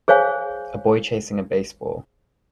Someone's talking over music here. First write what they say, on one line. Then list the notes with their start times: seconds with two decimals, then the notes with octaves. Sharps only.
A boy chasing a baseball.
0.08 G#4 C5 C#5 F5 G#5